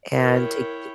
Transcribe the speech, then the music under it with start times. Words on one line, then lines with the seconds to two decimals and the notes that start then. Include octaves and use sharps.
and take the
0.16 E4 A#4 C#5 G5 F6